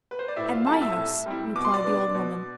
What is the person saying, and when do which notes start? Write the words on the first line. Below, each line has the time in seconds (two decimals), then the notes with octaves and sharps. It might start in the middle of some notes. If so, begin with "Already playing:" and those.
"At my house," replied the old woman.
0.11 B4
0.19 C5
0.28 D5
0.36 A2 E4 E5
0.51 F4 F5
0.67 G3 C4 E4 A4 A5
0.81 E5 E6
0.97 A2
1.26 G3 C4 E4
1.56 B2 D6
1.65 C6
1.74 D5 D6
1.84 B3 D4
2.14 B2